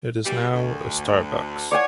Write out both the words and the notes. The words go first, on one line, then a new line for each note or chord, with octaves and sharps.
It is now a Starbucks.
B2 E3 G3
D2
E3 F4 C#5 D5 F#5 G#5